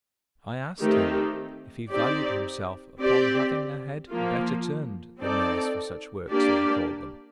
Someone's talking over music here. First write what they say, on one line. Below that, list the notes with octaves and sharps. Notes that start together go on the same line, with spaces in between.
I asked him, If he valued himself upon having a head better turned than theirs for such works, as he called them?
D#3 A3 C4 D#4 G4
C4 D#4 G4 D5
C4 G4 D5
F3 A#3 F4
C4 D#4 A4 D5
A#3 D4 G4 D5